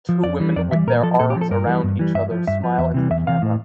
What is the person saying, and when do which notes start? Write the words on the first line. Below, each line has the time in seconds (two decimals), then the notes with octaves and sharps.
Two women with their arms around each other smile into the camera.
0.09 F3
0.24 F2 D5
0.40 E3 G3
0.56 F2 D5
0.71 E3 G3 E5
0.87 A#2 A#4
1.03 F3 A4
1.20 A#2 A4
1.30 G4
1.36 F3
1.41 A4
1.51 G2 A#4
1.67 E3 G3
1.83 G2
1.99 E3 G3
2.14 G2 E5
2.31 F3
2.47 G2 E5
2.64 F3
2.78 E2 E5
2.94 C3 E3 G3
3.10 E2 E5
3.27 C3 E3 F5
3.42 A2